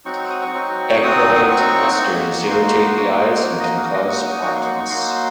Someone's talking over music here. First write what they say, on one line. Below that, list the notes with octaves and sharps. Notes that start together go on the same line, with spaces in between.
Acrylate esters irritate the eyes and can cause blindness.
F#3 C4 D#4 F#4 C#6
C#6
D#6
C#6
F#3 C4 D#4 F#4
C#6
F#3 C4 D#4 F#4 D#6
F#3 C4 D#4 F#4 C#6
A#3 D#4 F#4
A#5
A#3 D#4 F#4 C6
A#3 D#4 F#4 C6
A#3 D#4 F#4
D#5
F5
F#3 A#3 D#4 F#4 D#5
C#6
D#6
F#3 A#3 D#4 F#4 C#6
C6
C#6
C#6
F#3 A#3 D#4 F#4 C6